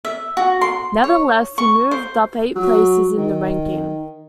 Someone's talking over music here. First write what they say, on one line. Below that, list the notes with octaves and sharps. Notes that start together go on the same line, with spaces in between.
Nevertheless, he moved up eight places in the ranking.
E5
F#4
C6
C#5
C#6
C5
F#3
D#3